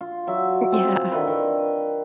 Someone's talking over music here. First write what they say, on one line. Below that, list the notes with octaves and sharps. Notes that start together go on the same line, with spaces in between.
N Yeah.
F4
F#3 E5
C4 F4
D3 D#3 E4 B4
D#3